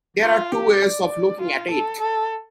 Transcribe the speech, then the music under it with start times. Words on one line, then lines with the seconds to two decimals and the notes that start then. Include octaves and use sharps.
There are two ways of looking at it.
0.22 F4
0.52 G4
0.82 D5
1.41 F4
1.71 A4
2.01 A4